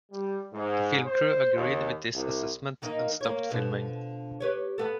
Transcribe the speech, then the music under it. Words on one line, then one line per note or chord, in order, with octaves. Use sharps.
The film crew agreed with this assessment and stopped filming.
G3
G#2
C5
D#2
C2
D#3 A#3 D#4
A#3 C#5
B2 D3 F3
G4 B4 C#5
B3 A4